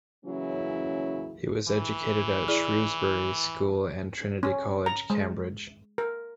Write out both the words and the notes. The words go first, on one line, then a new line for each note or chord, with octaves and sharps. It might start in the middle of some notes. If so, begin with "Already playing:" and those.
He was educated at Shrewsbury School and Trinity College, Cambridge.
C#3 E3 F#3 A#3 C#4 E4
E3
E4 G#4 D5
C#4
A#5
G#3
A#4